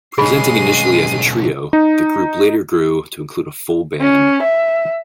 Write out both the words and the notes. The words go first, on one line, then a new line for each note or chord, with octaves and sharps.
Presenting initially as a trio, the group later grew to include a full band.
B1 C#3 G#3 G#4 B5 C7 D#7
D#4
C#4
E5